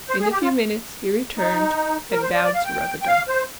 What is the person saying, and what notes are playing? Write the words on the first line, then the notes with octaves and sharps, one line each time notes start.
In a few minutes he returned and bowed to Ruggedo.
C5
G#4
G4
F4
D#4
A#4
C5
D5
D5
F5
G5
G5
F5
C5